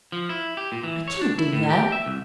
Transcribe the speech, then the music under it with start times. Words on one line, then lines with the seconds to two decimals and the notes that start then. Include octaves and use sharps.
"I can't do that."
0.12 F3
0.29 E4
0.57 G4
0.72 A#2
0.84 E3
1.08 C#5
1.21 D4
1.38 E4
1.52 A2
1.70 G4
1.92 E5
2.06 C2